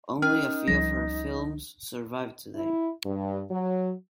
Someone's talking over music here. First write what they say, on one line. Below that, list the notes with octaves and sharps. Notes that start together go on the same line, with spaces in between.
Only a few of her films survive today.
C#4 D#4 A#4 G5 F6
C#2 F3 G3 A#6
E4
G2
F#3